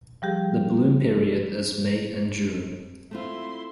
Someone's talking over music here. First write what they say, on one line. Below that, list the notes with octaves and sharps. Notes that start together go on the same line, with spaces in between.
The bloom period is May and June.
F3 G3 G4 G#4
A3 C4 E4 F4 C6